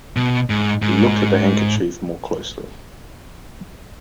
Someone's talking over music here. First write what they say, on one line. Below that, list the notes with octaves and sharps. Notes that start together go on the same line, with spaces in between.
He looked at the handkerchief more, closely.
B2
G#2
G#2